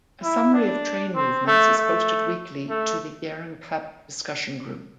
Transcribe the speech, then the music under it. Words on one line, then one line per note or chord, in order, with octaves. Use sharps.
A summary of train movements is posted weekly to the Gheringhap Discussion Group.
E4
D4
C4
A3
A3
A3